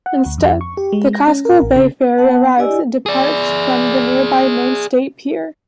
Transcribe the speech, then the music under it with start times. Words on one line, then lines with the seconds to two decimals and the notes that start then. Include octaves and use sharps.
Instead, the Casco Bay Ferry arrives and departs from the nearby Maine State Pier.
0.06 F#5
0.26 D2
0.38 F2
0.61 C#6
0.77 G4
0.93 G#3
1.13 A#6
1.27 C#4
1.45 A#4
1.62 A1
1.76 C#3
2.18 B3 F#5 A5
2.57 D4 G4 D5 D#5 G#5 E6
2.69 E4
3.06 G#4 D5